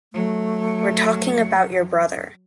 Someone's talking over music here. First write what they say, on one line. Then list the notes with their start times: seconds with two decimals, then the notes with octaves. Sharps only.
We’re talking about your brother.
0.13 F#3 A3